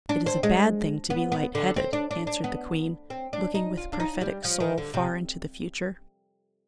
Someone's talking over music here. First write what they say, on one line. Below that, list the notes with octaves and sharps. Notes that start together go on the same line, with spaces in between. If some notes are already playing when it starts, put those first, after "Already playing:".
"It is a bad thing to be light-headed," answered the queen, looking with prophetic soul far into the future.
D4
C4
G#3
B3
B3
D3
C4
D4
D4
D4
B3
C4
D4
D#4
F4
D4
D#4
G3
F3
D#3
D3
C3